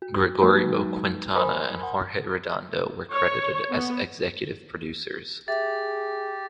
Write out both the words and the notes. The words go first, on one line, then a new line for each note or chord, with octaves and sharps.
Gregorio Quintana and Jorge Redondo were credited as executive producers.
F#4
F#3 G#3 A#3 D#4 F#4 B4
A#4 C5 G#5 B5 C6 D#6
F#5
C#5
B3
G4 G#4 E5 A6